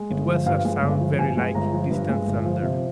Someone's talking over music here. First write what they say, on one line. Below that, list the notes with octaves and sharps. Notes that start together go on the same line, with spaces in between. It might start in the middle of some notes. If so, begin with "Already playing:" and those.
It was a sound very like distant thunder.
Already playing: G#3
G1
F3
G2 F5
G#3
G1
F3
G2 G#5
G#3
G1 A#5
F3
G2
G#3
G1
F3
C3